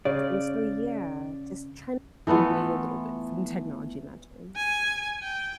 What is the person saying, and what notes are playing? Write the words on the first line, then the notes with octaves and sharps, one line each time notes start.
and so yeah, just trying to pull away a little bit from technology in that terms.
C#3 D5
E3 A3 B3 F4
G#5
G5